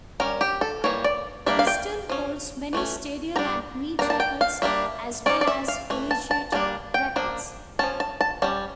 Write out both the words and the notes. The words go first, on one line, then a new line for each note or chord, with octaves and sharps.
He still holds many stadium and meet records, as well as Collegiate Records.
G3 C#4 A#4
G4
A4
E3 G3 A#3 C#5
D5
G3 A#3 D4 E5
F5
G5
F3 C#4
E3 A3 C#4
G3 D4 A#5
G3 A#3 D4 A#5
A5
G5
F5
G3 A#3 D4 E5
F3 A3 C#4 D5
D5
E5
F5
E3 A3
A5
A5
G3 A#3 D4 A5
G5
F3 A#3 D4
F3 C#4 A5
A5
A5
G3 C#4 A5